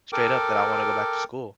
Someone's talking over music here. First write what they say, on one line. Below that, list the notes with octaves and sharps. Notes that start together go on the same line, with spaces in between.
straight up that I wanna go back to school,
A4 A#4 G5 D6